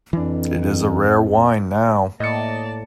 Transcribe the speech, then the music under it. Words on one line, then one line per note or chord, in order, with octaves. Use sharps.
It is a rare wine now.
F2 E3 D4
A2 A#3 D5 D#5 A5 C#7